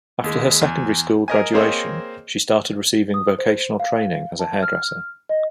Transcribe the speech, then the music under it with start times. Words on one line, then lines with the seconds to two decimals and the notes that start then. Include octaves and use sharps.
After her secondary school graduation she started receiving vocational training as a hairdresser.
0.24 D#2 G#3
0.62 E2
1.28 A#4 D#5 G#5
1.54 A#3 C4 G#4 C5 C#5 D#5
3.14 D#6
3.39 C5
3.80 F5
4.39 A5
4.62 F6
5.29 D#5